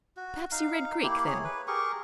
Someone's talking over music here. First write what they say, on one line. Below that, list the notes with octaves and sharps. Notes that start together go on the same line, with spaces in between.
Perhaps you read Greek, then?'
F#4
D#4 F5
A#3 E4 G4
G#4 C#5
B4
G4 G#4 A#4 C#6